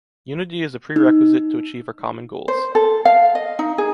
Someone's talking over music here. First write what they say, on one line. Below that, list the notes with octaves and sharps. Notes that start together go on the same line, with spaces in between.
Unity is a prerequisite to achieve our common goals.
D#4
C5
A4
F5
D#5
D#4
G#4